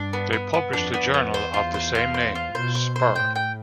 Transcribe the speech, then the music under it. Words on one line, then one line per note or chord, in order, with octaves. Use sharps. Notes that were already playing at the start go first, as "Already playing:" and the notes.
They published a journal of the same name "Spur".
Already playing: G2 D4
B3
B3
B3
F2 D4
B3
F2
B3
E2 C5
F4
C5
F4
C5
F4
B2 C5
C5
C5
A2 G5
G5